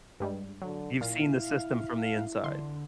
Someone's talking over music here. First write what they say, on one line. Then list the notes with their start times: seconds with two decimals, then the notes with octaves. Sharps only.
You've seen the system from the inside.
0.20 G2 G3 G#3
0.62 D3 F#3
1.01 A#2 E4 F5
2.44 D3 C6